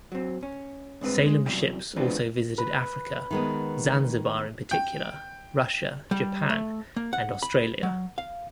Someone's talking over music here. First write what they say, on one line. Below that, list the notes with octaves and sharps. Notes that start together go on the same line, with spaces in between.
Salem ships also visited Africa - Zanzibar in particular, Russia, Japan, and Australia.
F#3 C4
C#4
G2 G#3 C4 B4
G#3
C2 F#2 B2 E3 G3 G5
E3 G#3 B3 C4 D4 F4
B4
D#3 G#3 B3
G5
G3
A3
A#3
F#5
B5
F#3
F5